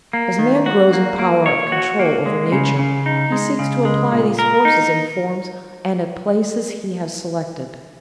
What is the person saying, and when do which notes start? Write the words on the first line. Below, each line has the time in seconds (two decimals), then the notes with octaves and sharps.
As man grows in power of control over nature, he seeks to apply these forces in forms and at places he has selected.
0.13 A#3
0.39 D#3
0.66 F#4
0.93 A#3
1.19 A#3
1.46 C#5
1.72 F#4
1.99 A#3
2.26 G#3
2.52 C#3
2.79 C#3
3.06 D#4
3.32 G#3
3.59 C#3
3.85 G#3
4.12 A#2
4.39 A#4
4.65 D#4